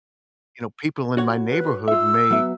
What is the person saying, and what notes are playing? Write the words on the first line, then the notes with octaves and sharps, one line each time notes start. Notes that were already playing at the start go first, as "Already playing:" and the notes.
you know, people in my neighborhood may
F#4 C#5 F#5
B4
F4 E5 E6
F#3 B3 E5